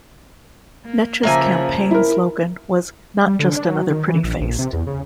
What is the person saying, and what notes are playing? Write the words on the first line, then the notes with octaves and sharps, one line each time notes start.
Netsch's campaign slogan was Not just another pretty face.
A#3
C#3 F3 A#3 E5 G#5
E4 A#4
G3
D3
D4
F#3
D#3
E3
A#1
A#1
C3
E2
C#3